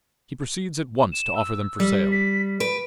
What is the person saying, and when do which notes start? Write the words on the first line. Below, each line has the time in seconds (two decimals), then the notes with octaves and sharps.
He proceeds at once to offer them for sale.
1.12 E7
1.36 E6
1.80 G3
2.12 B6
2.60 B4 D7